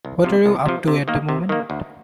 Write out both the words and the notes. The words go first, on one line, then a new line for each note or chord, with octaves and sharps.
What are you up to at the moment?
C2
C3 F3
C2
C3 F3
C3
D#3 A#3
C3
D#3 A#3
D2